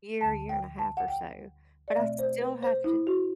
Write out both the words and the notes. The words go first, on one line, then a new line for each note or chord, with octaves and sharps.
year, year and a half or so, but I still have to
D2 D3 G3 A5
G5
A5
F#5
G5
D5
B2 A3 C4 E5
C5
B4
C5
E4
F#4